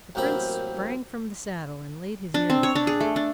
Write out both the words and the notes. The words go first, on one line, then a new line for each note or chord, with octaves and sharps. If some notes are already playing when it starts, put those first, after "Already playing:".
The prince sprang from the saddle, and laid his ear to the ground.
A1 F#2 A#3 C4 B5
D4
C4
C#5
D4
G#4
A3
D4